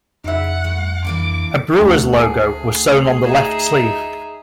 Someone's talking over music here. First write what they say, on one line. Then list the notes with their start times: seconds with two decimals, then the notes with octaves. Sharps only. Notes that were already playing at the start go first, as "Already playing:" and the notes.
A Brewers logo was sewn on the left sleeve.
0.24 F2 C#3 D4 D#4 E5 F#5
0.64 G2 A3
1.05 E3 A#3 D4 D6
1.78 D2
2.13 G#4 G#5
3.24 D#4 E5